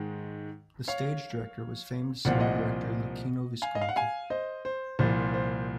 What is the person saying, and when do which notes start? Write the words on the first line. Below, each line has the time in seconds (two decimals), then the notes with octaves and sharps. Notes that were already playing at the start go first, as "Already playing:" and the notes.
The stage director was famed cinema director Luchino Visconti.
Already playing: G#2 D#3 G#3
0.88 C#5 F5
2.25 C2 A#2 F3 C4 F#5
2.32 F5
2.40 D#5 F#5
3.62 F5 G#5
3.75 D#5
3.81 F5
3.89 F#5
3.96 F5 G#5
4.30 C5 D#5
4.65 C5
4.99 C2 A#2 F3 C5
5.34 C5